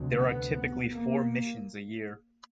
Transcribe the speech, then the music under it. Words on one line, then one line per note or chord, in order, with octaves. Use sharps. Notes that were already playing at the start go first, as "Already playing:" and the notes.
There are typically four missions a year.
Already playing: D2 C3
B3
B3
A#3